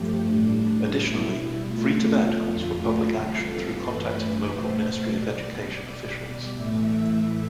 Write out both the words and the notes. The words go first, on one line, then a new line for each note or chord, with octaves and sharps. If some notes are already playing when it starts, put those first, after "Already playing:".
Additionally, Free Tibet calls for public action through contacting local Ministry of Education officials.
Already playing: G2 F3 A3 G4
A2 G3 D4
B2 G3 E4
B2 A3 F4
F2 D3 A3
E2 C3 G3 F4
A4
G2 E3 A3 B4
E2 B2 A3 C5
B2 G3 D5
B2 G3
A2 E3 A3 E5